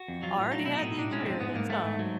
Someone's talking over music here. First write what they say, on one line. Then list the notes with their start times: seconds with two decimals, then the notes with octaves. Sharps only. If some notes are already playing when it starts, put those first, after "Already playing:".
Already had the experience, huh?
Already playing: F#4
0.08 F2
0.23 F#3 F4
0.38 A2
0.52 F#3 D#4
0.66 B2 E4
0.79 A2 D#4
0.97 A2 D4
1.11 G#3 C#4
1.26 F2 C4
1.40 G#2 B3
1.55 G#2 A#3
1.69 G#2 A3
1.84 G#2
1.99 F#3